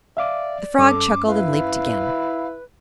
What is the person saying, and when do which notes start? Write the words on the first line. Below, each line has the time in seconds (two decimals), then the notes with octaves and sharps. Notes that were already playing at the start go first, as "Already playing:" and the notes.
The frog chuckled and leaped again.
0.17 D5 E5 F5 D6
0.79 G2 C#4 A4 D6
1.27 E4 B4 F5